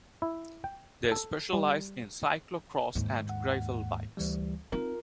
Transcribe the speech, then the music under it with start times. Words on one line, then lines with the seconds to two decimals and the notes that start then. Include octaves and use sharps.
They specialise in cyclocross and gravel bikes.
0.22 E4
0.64 G5
1.12 A4
1.53 G3
2.95 D#2 G#2
3.29 F#5
4.17 D2 E3 G3
4.72 C4 D#4 F4 A#4